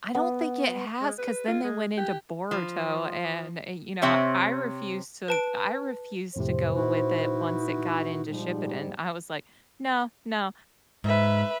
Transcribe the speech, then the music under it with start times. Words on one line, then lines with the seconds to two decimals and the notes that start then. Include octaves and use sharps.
I don't think it has, 'cause then they went into Boruto, and, eh, you know, I refused to I refused to go with it once it got into Shippuden, I was like, "No, no."
0.15 B3
1.01 G#3
1.18 B4
1.48 F4
1.63 G#3
1.97 G4
2.51 F3
4.02 C3 C4 C#5 E5
5.28 B4 A5 D7
6.36 F2 A2 C3 C5
6.75 A#2 D#4 E4 F#4 B4
8.28 G#2 F3 G3
11.04 G#2 B4 E5